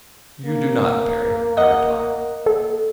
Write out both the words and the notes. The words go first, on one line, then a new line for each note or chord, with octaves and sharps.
"You do not, Perry," I replied.
A#3
D#5 F#5
A4